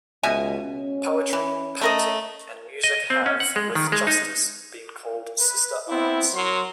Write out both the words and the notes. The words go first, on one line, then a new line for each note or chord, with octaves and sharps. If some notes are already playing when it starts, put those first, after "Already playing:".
Poetry, painting, and music have, with justice, been called sister arts.
C#2 B2 E5 G#5
C#4
E3
A3 A#4 D#5
D#5
C4
C#4
F#5
G#3
D#3
G#3
D#4
B4
B3 C4 E4
F#3 A#4 C6